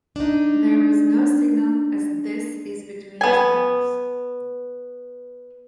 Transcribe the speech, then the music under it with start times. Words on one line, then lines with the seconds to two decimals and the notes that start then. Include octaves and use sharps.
There was no signal, as this is between channels.
0.16 D4 D#4
3.21 B3 G#5